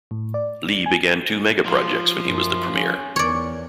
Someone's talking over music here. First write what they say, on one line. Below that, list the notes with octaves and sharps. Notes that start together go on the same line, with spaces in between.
Li began two megaprojects when he was the Premier.
A2
D5
G#5
F3
F#2
C#4
E2 C#5 D5